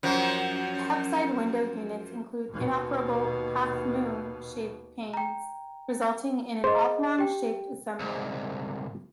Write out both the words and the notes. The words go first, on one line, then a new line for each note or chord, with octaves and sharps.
Cab side window units include inoperable "half moon"-shaped panes, resulting in an oblong-shaped assembly.
F#2 F3
D#2 B2
G5 A#5
G#4 C5 D#5
G4 G5
C2 G#2